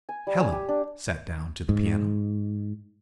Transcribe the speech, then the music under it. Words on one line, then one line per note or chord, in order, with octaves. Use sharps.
Helen sat down to the piano.
G#5
G3
G#5
G4
D4
G#2